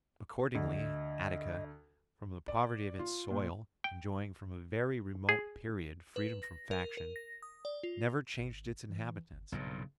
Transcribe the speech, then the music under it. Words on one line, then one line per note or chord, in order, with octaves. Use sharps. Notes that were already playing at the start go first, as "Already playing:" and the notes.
Accordingly Attica, from the poverty of its soil enjoying from a very remote period freedom from faction, never changed its inhabitants.
D2 D#5
D5
F4
A#2
G5
G#4
B4
A#6
A#4
A#4
A#6
D#6
D5
F4
G#1
E3
G1
B1 G2 A#2 C#3